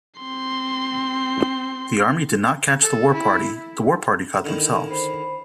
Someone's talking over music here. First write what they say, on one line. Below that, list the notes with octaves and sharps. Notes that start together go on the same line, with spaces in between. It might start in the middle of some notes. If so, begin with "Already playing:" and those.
The Army did not catch the war party, the war party caught themselves.
C4 C6
A4
E4
D3 D#3 E4
C5 B5